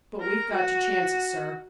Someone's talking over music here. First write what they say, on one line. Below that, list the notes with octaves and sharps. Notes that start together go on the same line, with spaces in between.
But we've got to chance it, sir.
A#4
F#4